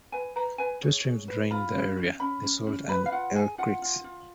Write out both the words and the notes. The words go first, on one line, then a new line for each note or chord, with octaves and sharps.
Two streams drain the area, the Salt and Elk Creeks.
B4 G#5
B4 A#5
B4 G#5
G#4 C#5
G#4
B4
F4 B5
C#4
C#4
C#4 B5
C#4
C#4
B4 B5
F5
F4 F#5
G#4 G#5
F4 F#5
F4
F4